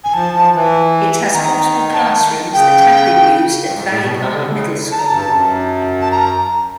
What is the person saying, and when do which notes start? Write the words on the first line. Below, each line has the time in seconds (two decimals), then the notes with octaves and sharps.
It has portable classrooms that had been used at Valley Park Middle School.
0.04 G#5
0.14 F3 A5
0.34 F3
0.54 E3
1.33 D#3 A#5
1.93 A5
2.53 C#3 G5
3.66 G2
3.72 G#2
3.88 A2
4.02 B2
4.18 C3
4.32 D3
4.47 D3
4.52 C#3
4.92 A5
4.99 A#5
5.06 A5
5.11 G2
5.31 F#2
6.01 A5
6.12 A#5